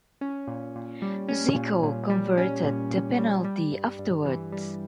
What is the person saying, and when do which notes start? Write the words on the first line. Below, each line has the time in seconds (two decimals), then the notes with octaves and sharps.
Zico converted the penalty afterwards.
0.21 C#4
0.48 A#2
0.76 A#2
1.02 G3
1.28 C#4
1.56 A#2
1.83 A#2
2.10 G3
2.37 C#4
2.64 A#2
2.91 A#2
3.18 G3
3.44 G3
3.72 G2
3.99 G2
4.25 E3
4.52 G3